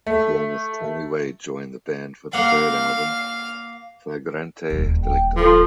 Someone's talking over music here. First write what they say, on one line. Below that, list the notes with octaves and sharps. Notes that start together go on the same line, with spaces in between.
Pianist Tony Wade joined the band for the third album, "Flagrante Delicto".
A3
A#3 F5 F#5
D#1 D2
G5
F3 A4